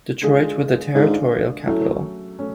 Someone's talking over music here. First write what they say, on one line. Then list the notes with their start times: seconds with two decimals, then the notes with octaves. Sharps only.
Detroit was the territorial capital.
0.22 D3 G#3 D4 F4 G#4
0.95 G#2 D3 G#3 D4 F4 G#4
1.66 A2 F#3 A3 C#4
2.39 A3 C#4